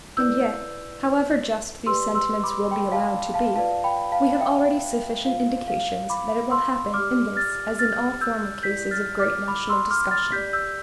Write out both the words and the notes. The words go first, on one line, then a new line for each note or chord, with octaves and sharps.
And yet, however just these sentiments will be allowed to be, we have already sufficient indications that it will happen in this as in all former cases of great national discussion.
E4 B4 D5 E6 G6
G4 B4 D5 C6 E6
C6 E6
B5 D6
G5 B5
F5 A5
F5 A5
F4 B4 D5 F5 A5
G5 B5
F5 A5
E5 G5
F4 C5 F5
F5
B5 D6
C6 E6
G4 D5 D6 F6
F6 A6
F6 A6
E6 G6
E4 G4 D5 G6 B6
F6 A6
D6 F6
B5 D6
C6 E6
D6 F6
F6 A6
G4 D5 G6 B6
E6 G6